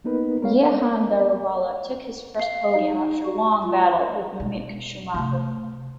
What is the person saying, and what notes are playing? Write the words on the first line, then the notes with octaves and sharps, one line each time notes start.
Jehan Daruvala took his first podium after long battle with Mick Schumacher.
A#3 B3 D#4 A#4 B4
B3 A#4 C#5 F5
F5
D#4
F#4
F4
B2
C3 A3